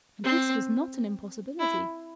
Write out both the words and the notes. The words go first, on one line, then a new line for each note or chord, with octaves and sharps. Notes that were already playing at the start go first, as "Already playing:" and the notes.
And this was not an impossibility.
C4
E4